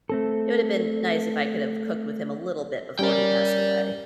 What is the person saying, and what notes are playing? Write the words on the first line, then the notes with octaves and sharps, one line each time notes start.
it would've been nice if I could've cooked with him a little bit before he passed away.
A3 C4 A4
G3 C#4 A#4 D5 G5